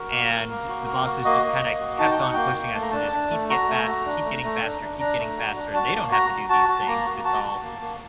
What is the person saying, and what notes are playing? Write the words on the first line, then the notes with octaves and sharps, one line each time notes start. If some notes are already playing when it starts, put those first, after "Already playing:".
and the bosses just kinda kept on pushing us to just keep get fast keep getting faster, keep getting faster, and they don't have to do these things, it's all,
Already playing: F#4 A#4
A#3
A#3
A#3
F#4
A#3
F#4
A#3 D#5
A#3
A#3
F#4
D#4 A5
G5
F#4 F#5
A#3 G5
A#3
A3 A5
A#5
D4 A5
D4
A3
F#4 A#5
A3
F#4
D4
A3
A3
D4
D4
D4 A#5
A3
F#4
D4
F#4 A5
A#3
F#4 A#5
F#4
F#4 A5
F#4
A#3 A#5
F#4
F#4 A5
F#4
A#3
A#3